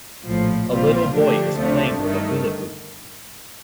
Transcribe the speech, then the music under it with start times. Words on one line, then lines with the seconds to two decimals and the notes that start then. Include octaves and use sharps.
A little boy is playing with a hula hoop.
0.24 A#1 A2 F3
0.69 A#1 A#2 G3 C4 F4
1.13 D3 F3 A3 D4 G4
1.57 D2 C3 F3 A3 D4
2.01 G1 G2 D#3 A3